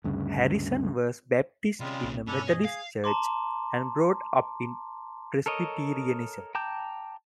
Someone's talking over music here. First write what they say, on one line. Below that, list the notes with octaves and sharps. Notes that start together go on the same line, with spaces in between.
Harrison was baptised in a Methodist church and brought up in Presbyterianism.
D2 G2 C#3
C3 G3 G#3 C#4 F4
B1 B2
G2 B2 C#4 D4 E4 A4
G#4 D#5
G#4 F5
A5 A#5 C6 D6
A4 A#4 C#5 D#5
G5 A5 A#5 D6 G6